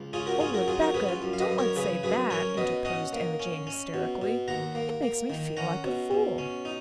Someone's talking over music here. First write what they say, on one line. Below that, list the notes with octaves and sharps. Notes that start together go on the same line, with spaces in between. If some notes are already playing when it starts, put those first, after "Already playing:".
"Oh, Rebecca, don't let's say that!" interposed Emma Jane hysterically. "It makes me feel like a fool."
Already playing: C#2
C#4 F4 G#4
F#4 A#4
C#4 F4 G#4
F#4 A#4
F#3 F4 G#4
F#4 A#4
C#4 G#4 B4
F4
F#2
F5
B4 D#5
F#2
A#4 C#5
C#3 G#4 B4
F#2 G#4 B4
C#4 A#4 C#5
B2 B4 D#5
C#4 D#5 F#5
A#3
C#4
C#4
B2
B2
D#2 F#5 A#5
A#3
A#3
D#3
C#4 F#5 A#5
B2
B2
C#4
D#4